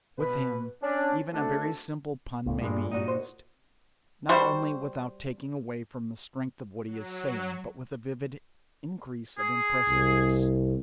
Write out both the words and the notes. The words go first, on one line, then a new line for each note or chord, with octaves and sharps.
With him even a very simple pun may be used, not only with-out taking away from the strength of what he is saying, but with a vivid increase of impressiveness.
B2 B4
C#4 D4
A3 C4 D4 F#4 A4
C#2 A2
G2 A#2 G#3
G2 G3 D#4 F#4 D#7
C5
G3 F#4 C5
F#3
G#4
C2